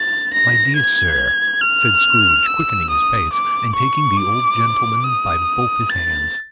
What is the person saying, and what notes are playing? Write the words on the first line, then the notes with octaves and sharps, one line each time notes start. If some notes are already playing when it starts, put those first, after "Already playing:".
"My dear sir," said Scrooge, quickening his pace, and taking the old gentleman by both his hands.
Already playing: A6
A#6
G#6
F6
E6
D#6
D6
C#6
D6
D#6
A6